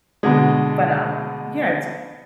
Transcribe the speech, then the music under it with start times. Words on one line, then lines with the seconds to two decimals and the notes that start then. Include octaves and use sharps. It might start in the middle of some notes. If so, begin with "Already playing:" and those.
but, um Yeah, it's
0.23 B2 D3 G#3